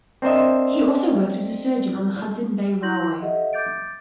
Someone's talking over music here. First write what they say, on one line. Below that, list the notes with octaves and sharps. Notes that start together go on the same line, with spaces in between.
He also worked as a surgeon on the Hudson Bay Railway.
C4 D4 A#4 C5 D#5 E5
E4 C6 G6 A#6 F#7
G4 A4 D#5 E5 F#5
D6 G6 A6 D7